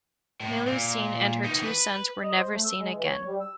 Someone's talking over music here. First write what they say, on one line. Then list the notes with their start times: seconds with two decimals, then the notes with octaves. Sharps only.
Melusine and her two sons were never seen again.
0.40 A2
0.67 A#2
1.44 E3 D#4
1.64 B4
2.23 D#5
2.36 C5
2.51 A3
2.64 E6
2.79 G#3
2.93 E3
3.05 C#5
3.26 G3
3.40 E6